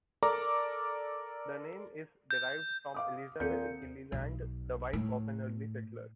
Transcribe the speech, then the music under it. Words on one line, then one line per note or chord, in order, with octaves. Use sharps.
The name is derived from Elizabeth Gilliland, the wife of an early settler.
A4 A#4 D5 A#5 D6
G6
F5 D6 D#6
D#2 A#2 C4 A4 G6 C#7
B1
A2